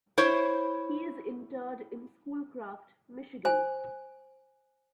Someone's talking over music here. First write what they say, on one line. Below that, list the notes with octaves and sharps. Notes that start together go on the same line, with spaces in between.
He is interred in Schoolcraft, Michigan.
E4 C5 C#5
C5 G#5